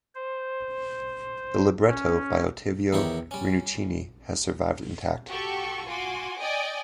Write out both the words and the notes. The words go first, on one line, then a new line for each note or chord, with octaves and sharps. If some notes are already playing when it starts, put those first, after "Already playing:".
The libretto, by Ottavio Rinuccini, has survived intact.
C5
C#4
E2 D#3 E4 G4 C#5
G3 C#4
F#4 G4 A4 C#6
F4 F#4 G#5 C6 D6
D5 D#5 G5 G#5